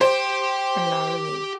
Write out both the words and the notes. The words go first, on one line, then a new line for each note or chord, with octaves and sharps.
Or, not really?
G4 C5 G5